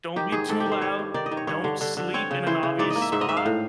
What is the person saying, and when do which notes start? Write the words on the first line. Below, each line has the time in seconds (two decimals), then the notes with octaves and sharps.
Don't be too loud. Don't sleep in an obvious spot.
0.16 D#3 G4
0.32 G#2 G#4
0.49 G#2 A4
0.60 G4
0.66 D#3
0.72 C5
0.81 G3 C#5
0.99 G2
1.14 D#3 D5
1.26 D#5
1.31 D#3
1.37 C#5
1.47 G2 C#5
1.64 D3
1.81 D3
1.97 D3
2.14 C4 C#5
2.31 C#3
2.47 E3 C5
2.63 C#3
2.79 G#2 D5
2.90 D#5
2.96 A#3
3.02 E5
3.12 G#2 E5
3.21 D#5
3.29 G#2 E5
3.37 F5
3.46 A2